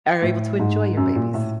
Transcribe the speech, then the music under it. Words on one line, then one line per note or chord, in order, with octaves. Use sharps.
are able to enjoy your babies.
A2
G#2
F#2
A#2
A2